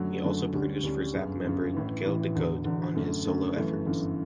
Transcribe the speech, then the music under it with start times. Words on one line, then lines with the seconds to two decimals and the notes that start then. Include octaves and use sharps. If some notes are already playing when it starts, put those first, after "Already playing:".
He also produced for Zapp member Dale DeGroat on his solo efforts.
Already playing: F#2 D3 F#3 A3
0.23 F#2 D3 F#3 A3
0.53 D2 D3 G3 C#4
0.83 D2 D3 G3 C#4
1.13 G1 F#2 C#3
1.44 G1 F#2 C#3
1.74 A1 A2 E3
2.04 A1 A2 E3
2.35 E1 E2 D3
2.65 E1 E2 D3
2.95 F#2 D3 A3
3.25 F#2 D3 A3
3.56 G1 F#2 E3 A3
3.86 G1 F#2 E3 A3